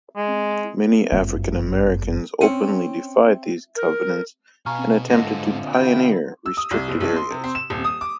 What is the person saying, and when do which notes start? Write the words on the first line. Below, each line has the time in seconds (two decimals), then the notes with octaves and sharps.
Many African Americans openly defied these covenants and attempted to "pioneer" restricted areas.
0.17 G#3
1.12 G1 F#2
2.41 C4 C#4 C#7 D#7
3.76 A#4
4.66 B2 F5 G#5 A#5 C#6 F6
5.10 G#2 D3 F4 A4 D#5 F#5 A#6
5.73 E4 F#4 E5 G5 G6
6.46 E6
6.57 D#6
6.71 C2
6.88 F#1
7.00 B1
7.16 C6
7.30 C3
7.44 C4
7.55 E7
7.70 D#1
7.84 D#6
8.01 D6